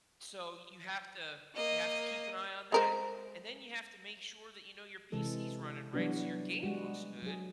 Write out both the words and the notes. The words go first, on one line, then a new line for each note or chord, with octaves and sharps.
so, you have to you have to keep an eye on that. And then you have to make sure that, you know, your PC's running right so your game looks good
A#3 D#5
G#3 A#4 C5
C3 E3 G#3 A4
E3 F#3 G3 B3 D4 F#4
G3 G#3 F#4
F#3 G#4